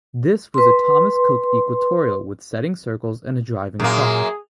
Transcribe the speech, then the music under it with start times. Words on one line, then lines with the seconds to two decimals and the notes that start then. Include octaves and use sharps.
This was a Thomas Cooke equatorial with setting circles and a driving clock.
0.54 B4 C6
3.80 F#2 A#2 A#3 G#4